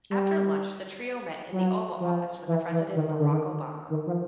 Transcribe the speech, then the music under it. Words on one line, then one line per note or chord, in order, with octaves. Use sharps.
After lunch the trio met in the Oval Office with President Barack Obama.
G3
F#3
F3
E3
E3
D#3
D#3
D3
D#3
D#3
F3